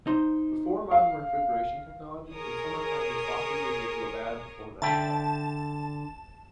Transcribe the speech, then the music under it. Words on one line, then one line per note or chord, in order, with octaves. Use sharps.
Before modern refrigeration technologies, in summertime the sausages would go bad before nightfall.
D#4 C5
F5
G#4 A#4 C#5 D#6
D3 E5 G5 A5